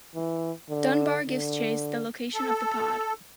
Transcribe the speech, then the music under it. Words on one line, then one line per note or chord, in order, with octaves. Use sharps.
Dunbar gives Chase the location of the pod.
E3
D3
D3
A4